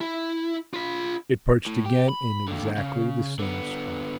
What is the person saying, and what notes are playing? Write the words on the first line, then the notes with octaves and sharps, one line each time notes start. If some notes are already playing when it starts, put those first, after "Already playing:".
It perched again in exactly the same spot.
E4
F4 B5
A2
G4
B5
D#2 D3
C#3
D3 B3